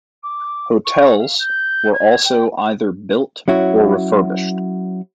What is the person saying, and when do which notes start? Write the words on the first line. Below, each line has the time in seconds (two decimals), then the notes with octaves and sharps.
Hotels were also either built or refurbished.
0.23 D6
0.85 C#6
1.18 F5
1.39 G6
1.93 G#6
2.24 G5
3.48 F#3 C#4 E4 F#4